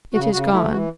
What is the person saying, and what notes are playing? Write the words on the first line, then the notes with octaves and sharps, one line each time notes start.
"It is gone."
C#3 F#4
C#3 F#4
A3 E4
E3 F#4